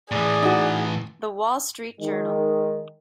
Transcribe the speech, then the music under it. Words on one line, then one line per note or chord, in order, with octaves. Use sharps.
"The Wall Street Journal".
A2 E3 G#4 D5
D#4 F#4
D#3 G#3